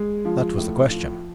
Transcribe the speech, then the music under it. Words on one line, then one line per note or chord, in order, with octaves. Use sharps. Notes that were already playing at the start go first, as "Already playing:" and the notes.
That was the question.
Already playing: G#3
F3
A2
F3